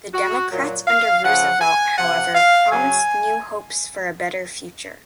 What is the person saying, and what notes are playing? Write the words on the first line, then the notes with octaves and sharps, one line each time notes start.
The democrats under Roosevelt however promised new hopes for a better future.
F#4
A#2 F#3
F5
C#3 F3 F#5
G#5
C3 F3 F#5
F5
C#3 F#3 G#5